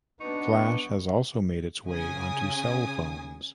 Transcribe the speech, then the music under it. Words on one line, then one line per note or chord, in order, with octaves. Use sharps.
Flash has also made its way onto cell phones.
B2 B3 D4 D#4 C#6
C#3 G#5 D#6